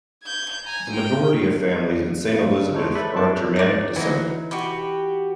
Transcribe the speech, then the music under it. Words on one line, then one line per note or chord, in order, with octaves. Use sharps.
The majority of families in Saint Elizabeth are of Germanic descent.
G6 G#6
G#5 A#5
G5
C#3
G#3 D#4 A4 C5 C#5
A4 B4 D5 E5 B5
G2 C3 D4 A4 A5 D6
D#4 D5
E3 F#3 D#4
F#4 G4 B4